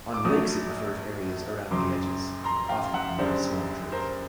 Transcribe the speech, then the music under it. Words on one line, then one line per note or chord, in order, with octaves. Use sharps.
On lakes it prefers areas around the edges, often under small trees.
D6
A#1 A#2 F#3 A3 C#6 D#6
F#1 F#2 C#3 F#3 C6 D6
A#5 C6
F5 G5
E5 F#5
F#1 F#2 D3 G3 C5 D5
A#4 C5